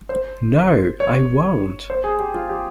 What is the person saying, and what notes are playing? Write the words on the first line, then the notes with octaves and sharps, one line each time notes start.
No - I won’t!
C5
C#5
C5
G#4
G4
F4
G4